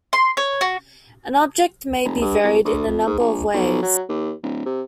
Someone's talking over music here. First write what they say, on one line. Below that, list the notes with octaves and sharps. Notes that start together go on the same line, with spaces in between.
An object may be varied in a number of ways.
C6
C#5
F#4
F1
G2
C2
D2
F2
G#2
A#1
B1
F#3
D#2
D1
C3